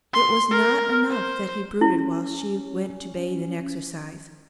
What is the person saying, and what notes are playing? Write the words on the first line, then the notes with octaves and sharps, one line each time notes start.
It was not enough that he brooded while she went to bathe and exercise.
C6
A#4
C5
C#4 E4